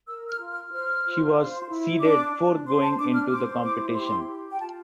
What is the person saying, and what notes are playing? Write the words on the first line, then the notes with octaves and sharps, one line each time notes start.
She was seeded fourth going into the competition.
A#4 E6
F6
F4
F6
C5 F6
F4
C5
E4
D4 D6
D4
C5 C6
A5
D4 D6
F6
C5 D6
E4 D6
G4 C6
G4
G5
F4 A5